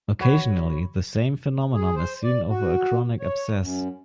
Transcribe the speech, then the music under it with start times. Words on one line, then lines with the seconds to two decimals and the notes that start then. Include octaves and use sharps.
Occasionally, the same phenomenon is seen over a chronic abscess.
0.20 F#4 B4 C#5
1.73 G#4
1.96 C5
2.23 D5
2.49 F#4
3.20 C#5
3.61 F#2